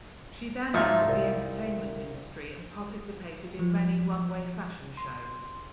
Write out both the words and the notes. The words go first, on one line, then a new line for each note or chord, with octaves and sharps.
She then entered the entertainment industry and participated in many runway fashion shows.
G#2 F3 F#3 D#4 F4 E5
C2
F3
C6